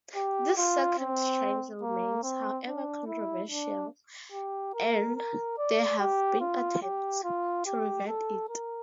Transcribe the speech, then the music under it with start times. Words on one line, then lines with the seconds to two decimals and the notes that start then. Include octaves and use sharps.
This second change remains however controversial and there have been attempts to revert it.
0.16 G4
0.57 F4
0.98 C4
1.82 A#3
2.23 C4
2.66 D4
3.07 E4
3.49 D4
4.32 G4
4.74 A#4
5.16 A#4
5.58 D5
5.99 G4
6.40 F4
6.82 G4
7.24 F4
7.66 G4
8.08 A4
8.49 A#4